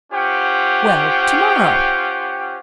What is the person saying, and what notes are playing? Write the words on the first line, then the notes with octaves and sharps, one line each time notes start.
"Well, to-morrow."
C#4 F4 G4 C5 F#5 G5